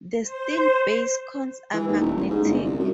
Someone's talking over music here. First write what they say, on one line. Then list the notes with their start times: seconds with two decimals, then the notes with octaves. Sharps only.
The steel base coins are magnetic.
0.23 C5
1.74 E3
1.88 D#2
2.01 D#1
2.17 A1
2.30 G#2
2.44 G1
2.65 C2
2.79 F#2